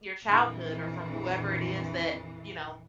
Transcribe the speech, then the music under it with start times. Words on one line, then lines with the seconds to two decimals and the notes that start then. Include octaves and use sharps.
your childhood or from whoever it is that, you know,
0.24 A#1 F2 E3